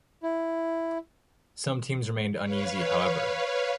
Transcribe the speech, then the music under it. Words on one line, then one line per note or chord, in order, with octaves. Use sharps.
Some teams remained uneasy, however.
E4
B4 C#5 F5